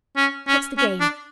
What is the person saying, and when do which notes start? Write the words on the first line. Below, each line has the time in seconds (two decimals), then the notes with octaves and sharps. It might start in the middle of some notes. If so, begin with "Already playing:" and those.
What's the game?
0.17 C#4
0.48 C#4
0.77 C#4
1.00 D4